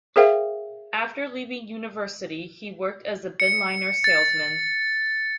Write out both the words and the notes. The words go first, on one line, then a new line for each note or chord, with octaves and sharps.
After leaving university he worked as a binliner salesman.
G#4 A#4 C5 E5 F5 G5
C#7
A6